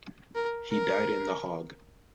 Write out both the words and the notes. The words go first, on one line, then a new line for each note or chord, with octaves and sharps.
He died in The Hague.
A#4
A#4